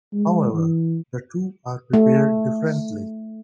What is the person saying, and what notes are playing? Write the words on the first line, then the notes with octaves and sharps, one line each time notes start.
However, the two are prepared differently.
G#3
E3
A3